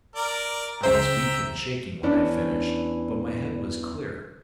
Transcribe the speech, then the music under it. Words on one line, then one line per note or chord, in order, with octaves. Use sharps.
I was weak and shaking when I finished, but my head was clear.
A#4 D5
C#2 C#3 C5 E5 G5 A#5
E2 E3 C#4 D4